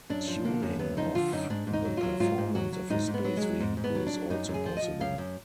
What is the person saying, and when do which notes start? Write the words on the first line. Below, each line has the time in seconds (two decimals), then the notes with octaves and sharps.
Tuning of the performance of a space vehicle is also possible.
0.10 F#2 D4
0.28 F3
0.44 D3 A#3
0.63 F#2
0.79 F#2 B3
0.97 F3 D#4
1.15 D3 F4
1.32 F#2 D#4
1.50 G#2 D4
1.67 G#2
1.73 D#4
1.85 F#3
1.97 F4
2.03 F#3
2.20 G#2 F4
2.38 G#2
2.55 F#3 F#4
2.73 F#3
2.90 G#2 D#4
3.08 G#2
3.14 B3
3.24 F#3
3.37 F#3 G#3
3.60 G#2
3.77 G#2
3.84 B3
3.95 F#3
4.07 D4
4.13 F#3
4.30 F#2 D#4
4.48 F#2
4.54 G#4
4.66 F3
4.77 D#5
4.82 F3
5.01 F#2 F5
5.18 F#2